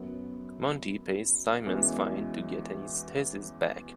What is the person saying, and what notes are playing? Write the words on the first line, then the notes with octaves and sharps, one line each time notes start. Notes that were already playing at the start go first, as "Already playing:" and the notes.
Monty pays Simon's fine to get his thesis back.
Already playing: F#2 F#3 B3 F#4
E2 E3 G#3 C#4 F#4